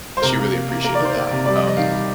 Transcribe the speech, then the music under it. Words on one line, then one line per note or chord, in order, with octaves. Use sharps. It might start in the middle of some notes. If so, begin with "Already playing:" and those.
and she really appreciated that, um,
C5
C3 A#4
A#3
A#3
A#3
A#3 A#4
D5
D#3
C5
A#3
C3
G3 D5
D#5
G3
D#5
D#3 F5
G3